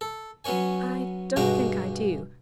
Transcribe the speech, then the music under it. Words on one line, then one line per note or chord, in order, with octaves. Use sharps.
'I don't think I do.
A4
F#3 B3 C#4 C#5 G#5
G2 B2 G#3 F#4 G5 A#5